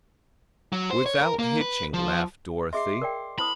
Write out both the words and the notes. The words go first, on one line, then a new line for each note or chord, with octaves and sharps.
"Without hitching," laughed Dorothy.
F#3
C5
C#5
A#4
A#3
B4
F3
G#4 D#5 E5 C6 D6 C7
A#4 D5 G5
E4 C5 B5 D#6